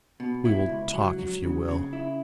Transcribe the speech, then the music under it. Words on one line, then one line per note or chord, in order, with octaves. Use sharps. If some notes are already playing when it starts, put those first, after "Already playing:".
"We will talk, if you will."
B2
E4
C#2
F#3
F#3
C#3
C#3
E4